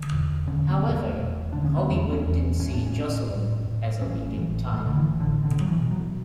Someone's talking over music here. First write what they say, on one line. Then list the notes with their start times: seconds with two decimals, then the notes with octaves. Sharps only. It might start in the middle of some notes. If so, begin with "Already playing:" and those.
However, Hollywood didn't see Joslyn as a leading type.
Already playing: D3
0.13 E1
0.47 D3 C#4
0.71 B3
0.84 E1
0.95 A3
1.18 E1
1.53 D3 D4
1.65 C#4
1.77 B3
1.89 E2 A3
2.13 C#4
2.26 E2
2.60 A2 C#4
2.73 D4
2.86 C#4
2.96 A2
3.31 A2
3.66 A2
4.02 A1 C#4
4.38 A1
4.73 A1 A3
4.87 D3
4.97 E3
5.09 A1
5.20 D3
5.44 B2 D3
5.60 F#3
5.68 E3
5.79 B2
5.91 F#3